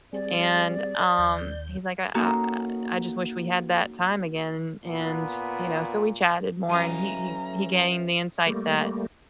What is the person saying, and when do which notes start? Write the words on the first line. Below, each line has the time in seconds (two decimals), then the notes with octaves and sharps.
and, um, he's like, "I, uh I I just wish we had that time again," and, you know, so we chatted more and he he he gained the insight that,
0.13 G3 C4 G#4 D5
1.18 D#2 G6
2.14 A#3 C#4 D#4 F#4 A4 A#4
4.85 A#2 B3
6.69 A2 E3 F#3 C#4 D#5 F5 A#5
8.46 G3 A3 A#3